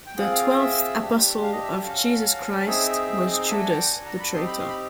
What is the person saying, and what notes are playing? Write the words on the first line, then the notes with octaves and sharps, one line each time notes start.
The "twelfth apostle" of Jesus Christ was Judas, the traitor.
G5
C4 F4 G#4 F#5
F5
E5
D4 G4
F5
D#5
E5
C#4 F#4 A4 F5
C4 D#4 G#4 E5
D4 F#4 A4 E5
G#5
G5
G#5
A#5
B5
C4 D#4 G4 C6
B5
C6
B5